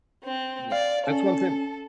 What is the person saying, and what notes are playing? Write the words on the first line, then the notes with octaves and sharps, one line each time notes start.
yeah, that's one thing
C4
D5 F5
C#4 A4